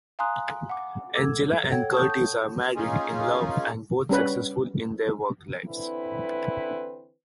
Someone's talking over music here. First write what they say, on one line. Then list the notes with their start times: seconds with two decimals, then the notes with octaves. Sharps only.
Angela and Curtis are married, in love and both successful in their work lives.
0.19 F5 G#5 A#5 C6 D#6 F#6
0.69 F#5 D6
1.14 A4 D6 E6 G#6
1.70 A4 C#5 F#5 G5 G#6
1.92 A5 C#6 D#6 G6
2.10 G6
2.76 A#3 C#4 D#4 F4 G#4
4.09 G3 C#4 B4
5.67 D3 E3 C4 E4 B4